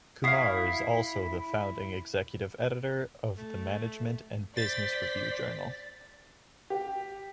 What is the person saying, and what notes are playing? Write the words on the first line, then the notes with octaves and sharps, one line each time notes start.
Kumar is also the Founding Executive Editor of the Management and Business Review journal.
E4 F#4 F5 D#6 B6 C7
A3
C5 D5 A6 B6
G4